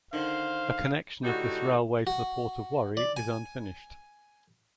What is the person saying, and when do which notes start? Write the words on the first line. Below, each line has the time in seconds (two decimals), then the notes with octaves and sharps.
A connection of this railway to the port of Warri is unfinished.
0.13 D3 D#3 C5 F5
1.24 A2 D3 D#4 F#4 G4
2.07 F#4
2.97 D5
3.17 G#5